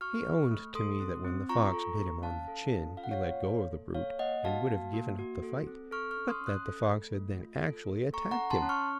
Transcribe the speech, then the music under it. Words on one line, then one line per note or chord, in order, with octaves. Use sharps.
He owned to me that when the fox bit him on the chin, he let go of the brute, and would have given up the fight, but that the fox had then actually attacked him.
F#4 C#6 F6
A4
A3
A4 C6 D#6
C4
C4
F4 A#5 C#6
A4
A#3
C#4 F5 A5
A4
C#4
F4 F5
F#5
C#5 F5
A#3
A#3
A4
A#3 C#5 F5
A#3 D#5 F#5
F#4 F5 A5
A#3
A#3
F#4
A4
C4
A4 C#6 F6
C#6 F6
C#4
C6 D#6
C#4
D#6 F#6
A4
A3
A3
F4
A4
A#3
A4 A#5 C#6
F#5 A#5
C#4
A5 C6
C#4
C#6 F6